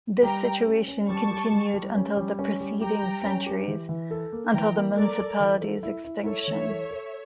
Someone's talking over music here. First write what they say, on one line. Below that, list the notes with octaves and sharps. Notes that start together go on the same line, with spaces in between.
This situation continued until the preceding centuries, until the municipality's extinction.
G3 G5 A#5
G4
C#4
C#4
G3 A5 C#6
G4
G3
G3
C#4
G3
C#4
G3
G4 G5 A#5
G3
C#4
G4
E3
E3
A4
A#3
E3 G5 A#5
A#3
A4 A#4 D5
A4
E3
A4
E4
E4
A4 C#5 E5
E3
A4
A4